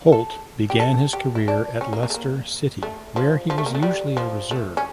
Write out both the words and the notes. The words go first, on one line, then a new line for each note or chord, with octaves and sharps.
Hoult began his career at Leicester City, where he was usually a reserve.
A4
G4
A4
G4
E4
D4
C#4
A#3
A#3
A3
A#3
A3
F3
F3
A3
A#3
A3
G3
F3
A3
C#4